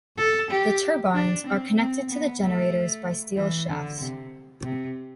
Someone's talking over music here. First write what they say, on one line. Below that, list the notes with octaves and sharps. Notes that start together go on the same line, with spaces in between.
The turbines are connected to the generators by steel shafts.
A4
G4
D4
C4
C4
B3
A3
E3
D3
C3
C3